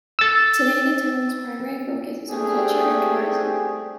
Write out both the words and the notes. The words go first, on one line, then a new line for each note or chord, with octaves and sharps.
Today, the town's primary focus is on culture and tourism.
E6 A6
G3 A3 C4 D4 G4 G#4